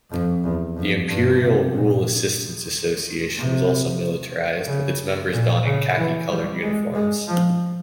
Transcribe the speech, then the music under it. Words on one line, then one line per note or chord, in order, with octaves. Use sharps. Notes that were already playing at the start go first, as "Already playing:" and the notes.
The Imperial Rule Assistance Association was also militarized, with its members donning khaki-colored uniforms.
F2
E2
F2
G2
C3
A#2
C3
C#3
A#2
C#3
E3
G3
G#3
G#3
F3